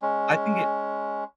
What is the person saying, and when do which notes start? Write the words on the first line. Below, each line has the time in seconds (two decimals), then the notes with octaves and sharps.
I think it
0.02 G#3 C#4